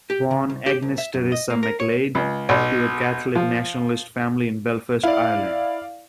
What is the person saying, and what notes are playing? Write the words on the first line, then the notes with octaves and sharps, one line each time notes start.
Born Agnes Teresa McGlade to a Catholic nationalist family in Belfast, Ireland.
G4
C#3
C2
G4
C2
E5
F#2
D#5
A#3
A#4
C#5
C#2
B1
F3
E4 D5 F5